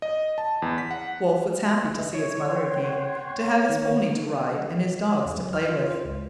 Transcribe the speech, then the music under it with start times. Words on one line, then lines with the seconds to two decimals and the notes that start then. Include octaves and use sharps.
Wolfe was happy to see his mother again, to have his pony to ride and his dogs to play with.
0.02 D#5
0.38 A5
0.62 E2
0.78 B6
0.91 F#5
1.99 B4 D#5 E5
2.14 E4 C#5
2.49 F#5 G5 C6
3.69 D#3 D#4
5.25 E2
5.38 F#3
5.53 F6
5.69 F4
5.91 C5
6.05 C#2